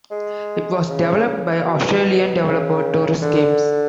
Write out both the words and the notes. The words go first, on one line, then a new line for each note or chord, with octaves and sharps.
It was developed by Australian developer Torus Games.
G#3
C#3
B2
C#3
D3